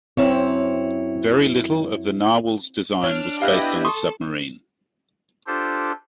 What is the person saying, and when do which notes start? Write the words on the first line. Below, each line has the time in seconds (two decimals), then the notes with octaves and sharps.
Very little of the "Narwhal"s design was based on the submarine.
0.17 F#2 C4 E4 C#5
3.04 D4 C#5 F6
3.42 B3 E4 G4 D#5 F5 F6 F#6
3.85 A4 C6 C#6 D#6
5.47 D4 F4 G4 A4 C5